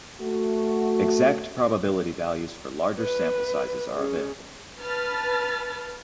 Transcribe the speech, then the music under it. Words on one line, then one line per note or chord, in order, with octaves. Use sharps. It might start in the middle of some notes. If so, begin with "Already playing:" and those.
Exact probability values for larger sample sizes are available.
A3 F#4
B4
C#4 G#4
B4 A5 F6 A6